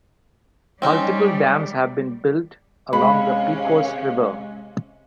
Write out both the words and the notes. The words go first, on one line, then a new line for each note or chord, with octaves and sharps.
Multiple dams have been built along the Pecos River.
G3 C4 C#4 D#4
C3 G#3 C#4 F5 B5